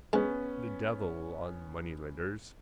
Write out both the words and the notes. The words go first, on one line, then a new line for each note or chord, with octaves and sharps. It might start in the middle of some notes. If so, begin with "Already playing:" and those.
The devil on moneylenders.
G#3 B3 C#4